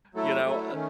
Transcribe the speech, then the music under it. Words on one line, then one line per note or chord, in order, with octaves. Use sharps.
you know, uh
F#3 A3 E4 A4
F#3 A3 E4 A4
D#3 A3 C#4